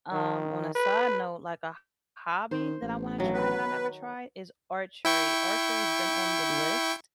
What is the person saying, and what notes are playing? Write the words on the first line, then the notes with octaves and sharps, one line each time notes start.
Um, on a side note, like a h hobby that I wanna try that I never tried is archery. Archery's been on the list
D#3
B4
D#3 C5
A1
G2 D#3 F#3
B4
E4 G5 C#6